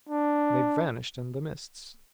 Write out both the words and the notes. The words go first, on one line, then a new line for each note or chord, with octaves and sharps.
They vanished in the mists.
D4